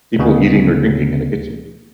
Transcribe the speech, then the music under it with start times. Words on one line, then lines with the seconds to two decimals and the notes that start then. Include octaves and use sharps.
People eating or drinking in a kitchen.
0.19 D2 C#3 B3